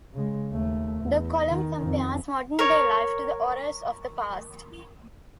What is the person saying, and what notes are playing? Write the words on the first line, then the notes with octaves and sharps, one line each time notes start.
The column compares modern day life to the horrors of the past.
C#3 G#3
D#2 A3
E2
D#3
F2
A#4 C#5